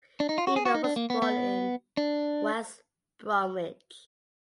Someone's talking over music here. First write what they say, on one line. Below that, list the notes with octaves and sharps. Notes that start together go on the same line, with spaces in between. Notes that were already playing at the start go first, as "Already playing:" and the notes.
Revan was born in West Bromwich.
D4
D#4
F4
F#4
G#4
F#4
D#4
D4
A#3
B3
B3
D4